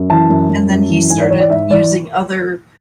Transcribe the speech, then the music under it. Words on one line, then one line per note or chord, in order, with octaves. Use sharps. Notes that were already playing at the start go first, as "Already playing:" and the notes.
and then he started using other
Already playing: F#2
E3 A5
F#2
F#2
F#2
E3
G#2 G#5
D5
E3 C#5
D5
G#2 E5
E3 D5